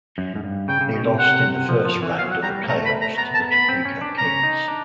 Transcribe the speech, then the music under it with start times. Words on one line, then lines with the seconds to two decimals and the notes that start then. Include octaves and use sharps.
They lost in the first round of the playoffs to the Topeka Kings.
0.18 F#2
0.35 G#2
0.44 G2
0.68 C#3 G5
0.81 C#3
0.93 B2
1.05 C3
1.19 C3 F#5
1.69 F3
1.85 F3
2.02 E3
2.18 F#3 F5
2.31 F#5
2.43 G3 A#5
2.64 A#3
2.68 A3 A#5
2.86 B5
3.01 A#5
3.18 B3 A#5
3.34 A5
3.51 B5
3.69 C4
3.85 C#4
4.01 D4
4.18 C#4 A#5
4.43 D#4
4.68 D4